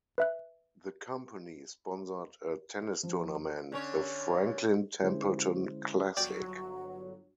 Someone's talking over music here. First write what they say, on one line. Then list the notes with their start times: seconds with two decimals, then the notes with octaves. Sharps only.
The company sponsored a tennis tournament, the Franklin Templeton Classic.
0.18 B4 E5 F#6
3.03 F3
3.72 D3 C#4 C#5
5.03 D3 G#3 C#4 E4 G#4 C5
6.17 G1 F#3 F#4 D5 G5